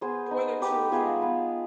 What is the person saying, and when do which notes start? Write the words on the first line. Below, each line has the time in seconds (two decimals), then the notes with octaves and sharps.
For their children
0.01 B3 G#4 C5
0.31 D#4
0.62 D#4 G4 B4
0.92 B3 F4 G#4
1.22 B3